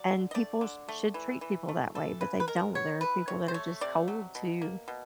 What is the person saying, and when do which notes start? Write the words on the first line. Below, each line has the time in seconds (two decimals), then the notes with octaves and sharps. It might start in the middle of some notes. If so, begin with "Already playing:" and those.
And people sh should treat people that way, but they don't, there are people that are just cold to
Already playing: F#3 D5
0.08 D3
0.31 D#5
0.34 A3 D5
0.61 D3
0.89 A3
1.14 E3
1.41 E3
1.69 A3
1.95 E3 A4
2.21 C#3 B4
2.40 B4
2.47 G#3 A#4
2.75 B3 C#5
3.01 E3 B4
3.28 C3 C#5
3.48 C5
3.54 A3 C#5
3.81 C3 D5
4.08 F#3
4.35 B2
4.62 A#3
4.88 B2